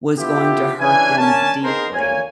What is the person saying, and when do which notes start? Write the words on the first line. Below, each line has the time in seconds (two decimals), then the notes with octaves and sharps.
was going to hurt them deeply.
0.17 B3 E4 F4 G4
0.79 E3 C#4 D4 B4 G#5
1.16 A#3 C#4 D4 G#5 A5
1.62 B3 D#4 G#4 A#4 C5
1.94 D2 A#3 C#5 G#5